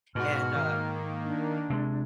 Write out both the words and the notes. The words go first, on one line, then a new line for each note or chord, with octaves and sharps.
and uh,
G#2 B2 F#4 F6
D#3 A#3
D4
C3 G#3